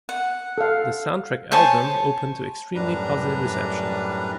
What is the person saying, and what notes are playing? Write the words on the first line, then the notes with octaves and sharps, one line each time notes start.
The soundtrack album opened to extremely positive reception.
F#5
A4 F5
C5 C#5 G#5 A5
F#2 A2 G3 D4 B4 A#5